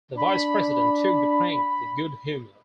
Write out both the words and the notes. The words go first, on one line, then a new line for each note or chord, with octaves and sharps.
The Vice President took the prank with good humor.
D4 B5